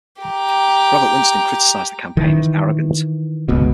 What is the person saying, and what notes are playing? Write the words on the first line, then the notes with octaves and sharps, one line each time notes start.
Robert Winston criticised the campaign as "arrogant".
G4 A#5
D#3 E3
G1 C#2 B2